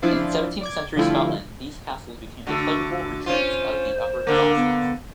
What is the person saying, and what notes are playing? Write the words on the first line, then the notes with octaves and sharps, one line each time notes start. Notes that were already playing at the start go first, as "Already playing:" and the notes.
In seventeenth century Scotland these castles became the pleasurable retreats of the upper-classes.
F3 D4 E4 F4 C5 D5
D5 D6 G#6
D3 F3 G3 A3 E4 F4
D3 A3 F#4
C#4 F4 C5
D3 A#3 A#4
B3